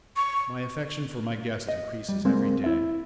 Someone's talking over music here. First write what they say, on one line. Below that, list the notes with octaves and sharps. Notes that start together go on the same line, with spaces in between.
My affection for my guest increases every day.
C#6
D#5
G3
C#2 G#3 A#3 C4
E4 E5